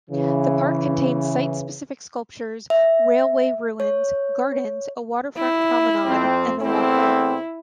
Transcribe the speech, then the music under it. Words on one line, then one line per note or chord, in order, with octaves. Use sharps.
The park contains site-specific sculptures, railway ruins, gardens, a waterfront promenade, and a walkway.
C#3 E3
E5
C#5
E4
F2 C4
E2 A3 C4 E4